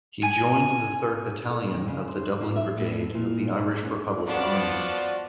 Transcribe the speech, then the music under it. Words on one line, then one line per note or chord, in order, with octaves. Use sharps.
He joined the Third Battalion of the Dublin Brigade of the Irish Republican Army.
G#5
A4
D#3
C#3
C5
F3
E5
A2
A#2
G3
G#2
C#4
F3 B3 D4 F#4 D5